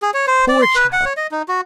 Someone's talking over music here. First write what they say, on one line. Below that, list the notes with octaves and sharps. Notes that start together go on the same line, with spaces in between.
Poor child!
G#4
C#5
C5
D5
C6
B4
F#5
C#5
D#5
D#4
F#4